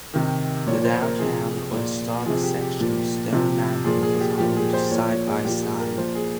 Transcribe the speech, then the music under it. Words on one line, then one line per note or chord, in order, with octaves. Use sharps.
The Downtown or Historic section of Stone Mountain is home to Side By Side.
C3 D#3
A#2 F3 C#5
C5
A#4
C3 F3 G#4
A#2 F3
C3 F3 G#4
G4
G4
A#2 F3
C3 F3
A#2 F3 G#4
G#4
G4
A#2 F3 G4
G#4
C5
A#2 F3 C#5
C#5
G#4
A#2 F3 G4
G#4
A#4
A#2 F3 C5
G#4